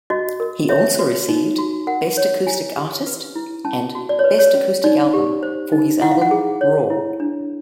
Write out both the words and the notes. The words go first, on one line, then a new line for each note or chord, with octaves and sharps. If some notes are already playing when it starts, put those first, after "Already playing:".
He also received "best acoustic artist" and "best acoustic album" for his album "Raw".
F#4 D#5
A#4
C#5 E5
F#4
D#4
F#4
A#4 F#5
C#5
E4 G#5
G4
B4
E4
C#4 A5
F#4
D5
C#5
B4
C#5
C#4
D#4 D5
G4
C5
D#4
E4 F#5
F5
F#5
G#4
C#5
E4
D4